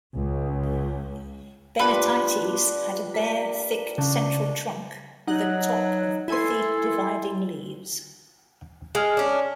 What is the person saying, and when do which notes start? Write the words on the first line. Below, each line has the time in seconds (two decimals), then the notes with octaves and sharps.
"Bennettites" had a bare, thick central trunk with a top of pithy, dividing leaves.
0.14 C#2
1.79 G3 D4 F4 B4
3.14 A#4 B6
3.98 C#3 D4 F5
5.27 F#3 D#4 F#5 F#6
6.28 E4 A4 G#5 C6
8.95 G#3 G#4 G#5 F6
9.17 C#4 D4